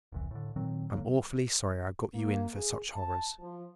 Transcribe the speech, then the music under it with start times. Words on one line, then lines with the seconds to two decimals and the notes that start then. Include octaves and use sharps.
I'm awfully sorry I got you in for such horrors.
0.12 E1 C2 E3
0.31 A2 D3
0.56 A#2 D#3 F#3 C4
0.93 D1 D3 F#3 A#3
2.12 A#3
2.54 G#4
2.95 A5
3.40 F3